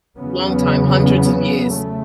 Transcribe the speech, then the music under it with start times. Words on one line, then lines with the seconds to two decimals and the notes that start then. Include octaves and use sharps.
Long time, hundreds of years.
0.17 E2 C#3 F#3 B3
1.73 C#3 A3